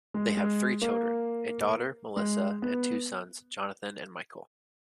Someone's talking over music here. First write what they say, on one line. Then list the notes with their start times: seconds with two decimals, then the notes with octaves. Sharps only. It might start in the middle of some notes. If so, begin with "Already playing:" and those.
They have three children: a daughter, Melissa, and two sons, Jonathan and Michael.
0.14 G#3
0.37 G#3
0.82 A#3
2.16 G#3
2.62 B3